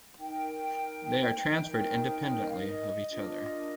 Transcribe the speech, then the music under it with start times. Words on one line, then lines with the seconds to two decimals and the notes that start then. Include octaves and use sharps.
They are transferred independently of each other.
0.18 D#4 A#4 G5
1.64 D#4 A#4
2.36 D#5
2.47 F5
2.58 D#5
3.09 D4 F4 A#4 D#5